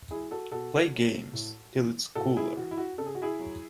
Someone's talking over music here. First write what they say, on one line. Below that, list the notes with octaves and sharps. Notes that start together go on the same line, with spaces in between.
Play games, till it's cooler.
F#3 E4 G#4
F#4 A4
B2 F#4 A4
F#3
A2
E3
A2 F#4 A4
E4 G#4
E3 F#4
E4
F#4
C#3 A4
G#4
F#4
E4 G#4
F#3